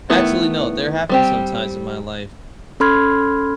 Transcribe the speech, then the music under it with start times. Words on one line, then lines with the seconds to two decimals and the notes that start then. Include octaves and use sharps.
actually, no, there have been some times in my life
0.10 D#3 A3 B3 E4
1.09 G3 C4 G4
2.80 C#4 A4 B5 C6 F6 G#6